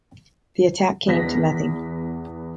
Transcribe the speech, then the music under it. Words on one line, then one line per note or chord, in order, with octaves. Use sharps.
The attack came to nothing.
E2 B3 A#6 B6